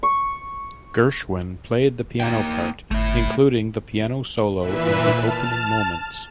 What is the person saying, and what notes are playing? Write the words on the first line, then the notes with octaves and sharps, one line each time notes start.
Gershwin played the piano part, including the piano solo in the opening moments.
C#6
A#3 G5
G1 A3 E4
A#2 E3 B4 E5
A5 F6